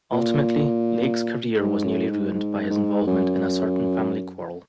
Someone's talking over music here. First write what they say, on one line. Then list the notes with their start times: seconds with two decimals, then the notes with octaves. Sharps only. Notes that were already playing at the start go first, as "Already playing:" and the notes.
Ultimately, Lake's career was nearly ruined by his involvement in a certain family quarrel.
0.12 A#2
1.60 G#2
1.85 F#2
2.09 G#2
2.34 G#2
2.70 G#2
3.07 F#2